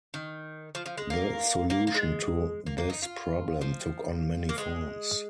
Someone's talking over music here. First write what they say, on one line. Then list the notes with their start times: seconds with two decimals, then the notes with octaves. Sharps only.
The solution to this problem took on many forms.
0.14 D#3
0.75 F3
0.86 F3
0.98 G#3
1.10 A#3
1.70 A#3
1.87 A#3
1.94 G#3
2.66 A#3
2.78 A#3
2.90 D#4
3.02 F4
3.61 F3
4.49 A#3
4.58 G#3